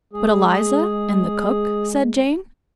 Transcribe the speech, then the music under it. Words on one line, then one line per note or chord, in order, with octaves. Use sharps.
'But Eliza, and the cook?' said Jane.
G#3 G#4